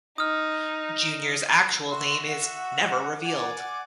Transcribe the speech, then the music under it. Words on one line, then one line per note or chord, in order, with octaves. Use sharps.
Junior's actual name is never revealed.
D#4 D#6 F6
F#4 E5 C6
F#5
D5 G#5 D6